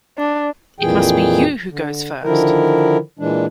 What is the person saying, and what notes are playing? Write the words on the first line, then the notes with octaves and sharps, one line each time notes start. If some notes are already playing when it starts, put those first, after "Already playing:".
It must be you who goes first!
D4
F2 A#2 E3 G#4 G5
D3
D3 D#3 F3 E4 A#4
A#2 E3 G#3 D4